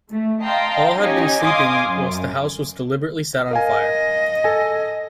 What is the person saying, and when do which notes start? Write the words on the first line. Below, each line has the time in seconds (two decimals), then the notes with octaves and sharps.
All had been sleeping whilst the house was deliberately set on fire.
0.12 A3
0.42 D#5 F5 G5 A5 A#5 C6
0.98 C#4 D#4 G4 D#5 G#5
1.41 D#5 F5 G#5 C6 D6 D#6
1.86 F#2
3.51 A#4 D#5 F5 G#5
4.44 A4 G#5